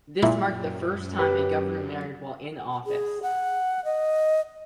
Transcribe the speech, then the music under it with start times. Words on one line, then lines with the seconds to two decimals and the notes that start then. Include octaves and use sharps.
This marked the first time a governor married while in office.
0.23 F#2 A#2 E4
1.18 G4 B4
2.86 G#4
3.23 F#5
3.85 D#5